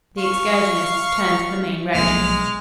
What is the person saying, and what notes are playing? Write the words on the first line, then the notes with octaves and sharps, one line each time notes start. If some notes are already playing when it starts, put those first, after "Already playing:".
The excursionists turned to the main road.
F5 C#6
B1 F3 G#3 A#3 F6